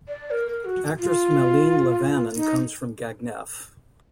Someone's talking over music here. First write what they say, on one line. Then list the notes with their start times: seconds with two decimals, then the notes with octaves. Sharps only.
Actress Malin Levanon comes from Gagnef.
0.08 D5
0.31 A#4
0.48 A#4
0.65 F#4
0.99 F4
2.36 D#4